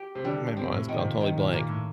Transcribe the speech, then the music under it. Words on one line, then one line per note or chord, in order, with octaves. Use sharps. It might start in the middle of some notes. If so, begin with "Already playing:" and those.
my mind's gone totally blank.
Already playing: G4
C3
D3 G3
C3 C4
A2
A#2 D#3
C3
A#2
C3 D#3
A#2
A#2 A#3
A2